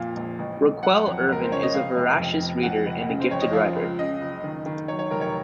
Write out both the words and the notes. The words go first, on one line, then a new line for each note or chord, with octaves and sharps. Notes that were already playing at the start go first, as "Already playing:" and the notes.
Raquel Ervin is a voracious reader and a gifted writer.
Already playing: F2 A#2 F5
A#1
A1
A1
F#3 F#5
F2
C#2 A#4
C5
C#3 C#5
D#5
F1 F5
F1
F2
F2
F2 F#5
F1
C#3
C5
F2 C#5
D#5
F3 F5
C#2
C#3 D#5
F#1
D#3
D#3
F#3 C#5
C#5
F1 A#4
C#5